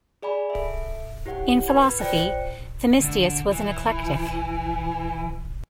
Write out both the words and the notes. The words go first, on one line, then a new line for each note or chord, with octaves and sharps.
In philosophy Themistius was an eclectic.
G#4 D5 G#5 B5
A4 E5
E4 G4 C#5 F#5
B4 B5 G#6
F4 C5 D5 G5 F#6 C#7
D3
E3